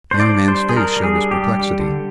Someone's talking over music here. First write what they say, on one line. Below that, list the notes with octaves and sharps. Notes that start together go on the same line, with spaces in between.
The young man's face showed his perplexity.
D4 C5
D5
G3
C5
D4
G#4
D4 A#4
G3
G#4
D4
G4
G3
G3
D3